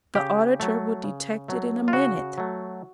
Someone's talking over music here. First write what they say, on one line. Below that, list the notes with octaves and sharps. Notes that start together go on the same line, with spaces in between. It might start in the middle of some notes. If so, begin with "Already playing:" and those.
The auditor would detect it in a minute.
C#3 G4
F#3 A3
C#3
F#3 A3
F4
C#3 F#4
F#3 A3